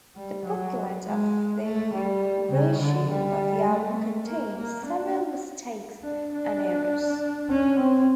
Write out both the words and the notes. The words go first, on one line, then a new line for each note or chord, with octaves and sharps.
The booklet of the reissue of the album contained several mistakes and errors.
G3
F#3
G#3
A3
G3
C#3
D3
G3
A3
A#3
A#3
D4
D4
D4
C#4
C4